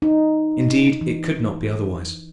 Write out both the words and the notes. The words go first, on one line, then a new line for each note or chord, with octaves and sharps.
Indeed, it could not be otherwise.
D#4
E3